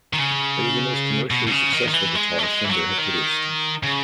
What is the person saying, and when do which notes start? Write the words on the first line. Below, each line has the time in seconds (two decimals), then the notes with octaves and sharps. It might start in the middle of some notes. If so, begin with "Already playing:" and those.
It was the most commercially successful guitar Fender had produced.
0.13 D#3
0.18 C#3
1.30 B2
1.47 B2
1.51 C#3
1.73 D#3
1.88 D#3
1.93 E3
2.15 G#3
2.39 A3
2.43 G#3
2.65 E3
2.71 F#3
2.98 D#3
3.83 C#3